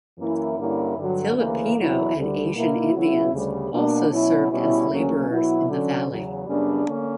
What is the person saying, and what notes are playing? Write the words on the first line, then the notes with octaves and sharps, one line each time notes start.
Filipinos and Asian Indians also served as laborers in the Valley.
F#2 E3 A#3 E4
G2 D3 A#3 C#4 E4
G2 D3 F#3
D2 C#3 E3 A#3
E2 B2 F#3 B3 E4
D2 D3 G3
B2 A#3 E4
C#3 F#3 B3 E4
D2 C#3 G3
B2 A#3 D4
B2 F#3 C#4 E4
B2 G3 C#4 E4
D2 C#3 F#3 A#3 C#4
B2 F#3 B3 E4
D3 F#3 C#4
E2 C#3 F#3
F#2 C#3 G3 B3 D4
D3 A#3 C#4